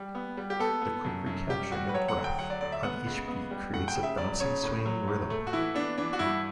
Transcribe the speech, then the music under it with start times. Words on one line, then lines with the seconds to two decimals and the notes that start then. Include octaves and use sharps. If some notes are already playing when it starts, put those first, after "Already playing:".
The quick recapturing of breath on each beat creates a bouncing, swinging rhythm.
Already playing: G3
0.15 B3
0.37 G3
0.50 G4
0.59 B3 A4
0.82 B3
1.04 F#2
1.26 F#2
1.50 G3 G4
1.72 G3 F#4
1.89 B4
1.94 F#3 C#5
2.08 F#5
2.16 D2
2.24 G5
2.39 F#3 F#5
2.50 D5
2.61 D2 D5
2.72 E5
2.83 B3 F#5
3.07 C#2
3.28 B3
3.51 G3
3.73 A3 F#5
3.88 G5
3.95 C#3
4.03 E5
4.18 F#3 D5
4.40 C#3 C#5
4.63 A2
4.86 F#3
5.08 A2
5.30 A3
5.47 F#4
5.53 E3 E4
5.74 B3 D4
5.98 E3 D4
6.13 F#4
6.19 G2 E4